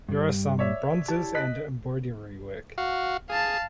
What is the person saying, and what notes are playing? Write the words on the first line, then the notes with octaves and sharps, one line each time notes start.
There are some bronzes and embroidery work.
G2 G3
C#5 D5 E5
E4 G4 A5
D#5 F#6 B6
F#4 F5
G#4 F5 A5